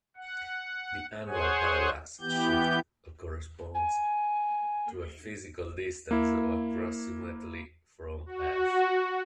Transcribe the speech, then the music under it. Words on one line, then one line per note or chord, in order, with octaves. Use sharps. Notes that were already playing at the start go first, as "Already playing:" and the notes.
The annual parallax shift of corresponds to a physical distance of approximately from Earth.
F#5
G#4 C5 C#5 F#5 G#5
E3 B3 G4 G6
G#5
A#3 E4
F#4